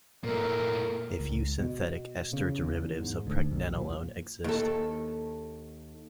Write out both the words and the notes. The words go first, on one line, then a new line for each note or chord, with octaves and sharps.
A few synthetic ester derivatives of pregnenolone exist.
A#2 A3 A#4
C#2
B2
C#3
E2
G#2
D2
B1
A#2
D#2 A4